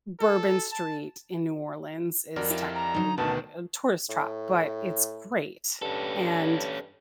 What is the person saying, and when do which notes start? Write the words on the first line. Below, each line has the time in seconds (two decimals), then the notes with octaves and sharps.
Bourbon Street in New Orleans is technically a tourist trap, but it's great, and
0.19 A4
0.71 A5
2.36 F2 F#4 A#4 D5
2.50 E4 F4 G4
2.75 A#5
2.94 F#3 D#4
3.18 D2 B2 D#3 B4 A5
4.09 A2
5.82 G2 C#4 A4